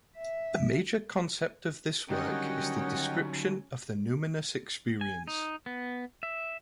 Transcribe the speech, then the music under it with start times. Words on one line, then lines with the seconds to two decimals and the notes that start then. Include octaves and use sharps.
A major concept of this work is the description of the numinous experience.
0.16 E5
2.10 D3 D#3 F#3 G3 C#4 D#5 F#5 G5
5.01 G#5
5.27 D#4
5.66 B3
6.23 E5